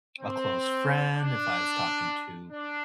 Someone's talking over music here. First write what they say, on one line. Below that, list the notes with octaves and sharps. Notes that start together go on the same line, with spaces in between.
a close friend, if I was talking to
C4
D4
D4